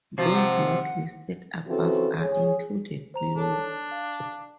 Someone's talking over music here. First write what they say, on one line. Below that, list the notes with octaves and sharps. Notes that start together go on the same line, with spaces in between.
Those not listed above are included below.
C3 F3 F#4
F#5
C#3 E3 F3 C4 F#4 A4
G#4 C#5
C5 A#5 F7
D4 A4 C#5 A5
F5